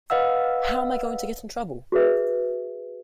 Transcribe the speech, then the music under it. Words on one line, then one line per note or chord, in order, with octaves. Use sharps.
How am I going to get in trouble?
B4 D#5 F5 F#5 E6
F#4 G#4 B4 E5